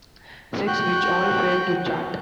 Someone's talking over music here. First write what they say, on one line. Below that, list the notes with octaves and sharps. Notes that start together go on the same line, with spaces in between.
Sex, which all failed to chart.
F#4 G5 F#6